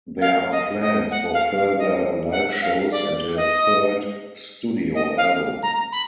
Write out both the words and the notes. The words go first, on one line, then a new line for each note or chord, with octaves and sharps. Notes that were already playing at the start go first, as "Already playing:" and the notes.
There are plans for further live shows and a third studio album.
F5
D#5
D#5
F#5
F5
F5
D#5
F#5
F5
D5
D#5
D#5
F5
A#5
B5